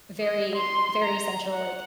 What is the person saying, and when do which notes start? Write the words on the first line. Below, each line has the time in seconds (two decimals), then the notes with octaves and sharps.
very, very central, like,
0.22 D#5
0.56 C6
1.04 A#5
1.53 F#5